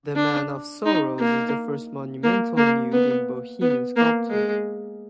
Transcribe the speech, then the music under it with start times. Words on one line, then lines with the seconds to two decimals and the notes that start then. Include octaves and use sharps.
The Man of Sorrows is the first monumental nude in Bohemian sculpture.
0.16 D4
0.85 D#4
1.19 A#3
2.23 A#3
2.57 A#3
2.92 B3
3.61 B3
3.96 A#3
4.30 G#3